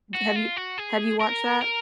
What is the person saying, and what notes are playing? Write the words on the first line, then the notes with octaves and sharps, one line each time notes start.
Have you have you you watched that?
F#4
F4
F#4
G#4
A#4
A#4